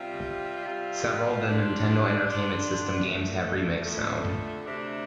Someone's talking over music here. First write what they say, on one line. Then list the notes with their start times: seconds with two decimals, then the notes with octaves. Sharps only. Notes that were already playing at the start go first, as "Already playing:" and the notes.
Several of the Nintendo Entertainment System games have remixed sound.
Already playing: C3 G3 C4 F4
0.66 C3 G3 C4 F4
1.46 D3 G3 D4 F4
2.25 D3 G3 D4 F4
3.05 F2 D3 A3
3.84 F2 D3 A3
4.64 D2 C3 A3 D4